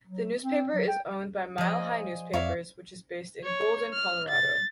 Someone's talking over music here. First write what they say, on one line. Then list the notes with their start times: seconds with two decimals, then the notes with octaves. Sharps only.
The newspaper is owned by Mile High Newspapers, which is based in Golden, Colorado.
0.07 F#3
0.42 C4
0.74 F#3
0.88 G5
1.58 F3 G#4 C5 D5 D#5
2.33 F2 C#5 D5 E5 F5 E7
3.43 C#5
3.93 F6
4.28 A6